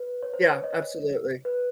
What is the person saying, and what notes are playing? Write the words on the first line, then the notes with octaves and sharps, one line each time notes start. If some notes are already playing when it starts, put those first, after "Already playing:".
Yeah, absolutely.
Already playing: B4
C#5
C5
C#5
C#5 D#5
B4